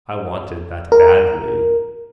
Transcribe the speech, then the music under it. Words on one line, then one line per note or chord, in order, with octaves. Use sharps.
I wanted that badly.
A#4